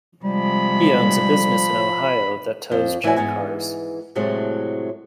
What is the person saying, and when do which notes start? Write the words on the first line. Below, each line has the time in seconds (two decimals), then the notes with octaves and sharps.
He owns a business in Ohio that tows junk cars.
0.24 C3 F3 G3 G#3 B5
2.71 F2 C5
3.04 E3 E4 F#4 D5 G#5
3.16 G#2 E3 B3 G#5
4.15 A2 C3 F#3 G#3 A3